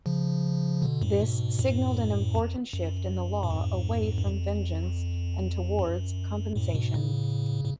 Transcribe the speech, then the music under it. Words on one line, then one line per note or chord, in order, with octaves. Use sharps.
This signaled an important shift in the law away from vengeance and towards compensation.
C#3 F3
B2 D3
F#2 A2
G#2 B2
F#2 A2
F2
F#2
A2
F2 G#2
F#2
F2
F#2
F#2 A2
G#2 B2
A2 C#3
A2